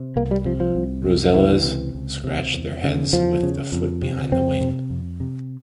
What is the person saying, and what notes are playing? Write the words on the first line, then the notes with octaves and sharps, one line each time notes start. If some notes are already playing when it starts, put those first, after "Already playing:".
Rosellas scratch their heads with the foot behind the wing.
Already playing: C3
C2 A#3
G3
C3 F3
F3
C2
C3
C#2 E3
C3
C#2
C3
E2
C#3
E2 F3
C#3
F2
C3
F2 C4
C3
F2
C3